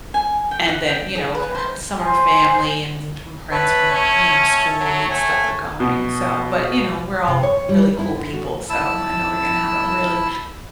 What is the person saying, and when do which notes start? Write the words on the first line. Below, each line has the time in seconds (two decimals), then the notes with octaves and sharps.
And then, you know, for her some of her family and then some friends from, you know, school and stuff are going, so but, you know, we're all really cool people, so I know we're gonna have a really
0.14 G#5
0.51 G5
0.69 F#5
0.87 G5
1.15 G#4
1.35 B4
1.55 C5
2.00 C5 G#5
3.51 B4 C#5 E5 A5
3.92 C#4
4.80 F#3
5.10 A3 C#5 G#5
5.80 B2
7.28 C3
7.43 C#5
7.69 G3
7.99 E4
8.15 D3
8.34 F#4
8.70 E4 A5 E6